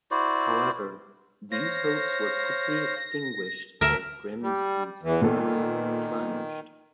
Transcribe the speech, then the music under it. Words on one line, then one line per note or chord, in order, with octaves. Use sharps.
However, these hopes were quickly extinguished as Grimsby's form plunged.
E4 F#4 C5 D5
C5 C#5 F5 A#6
D2 A4 A#4 E5
G3
E2 E3
A#2 D#3 B3 A4